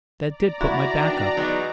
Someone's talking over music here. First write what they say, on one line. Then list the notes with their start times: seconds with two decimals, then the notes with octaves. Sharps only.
That did put my back up.
0.25 D5 A#5
0.61 E4 F#4
0.99 D#3 B3 D4
1.37 E2 F#3 G#3 B3 D#4